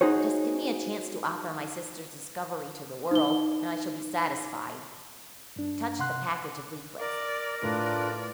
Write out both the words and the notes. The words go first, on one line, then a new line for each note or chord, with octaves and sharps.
"Just give me a chance to offer my sister's discovery to the world, and I shall be satisfied!" He touched the package of leaflets.
D#4 F#4 G#4 C5 C#5
D#4 G7
G2 D4
C3 F#5 C6 F#6
A#4 D5
A2 D4 F4 B4 D5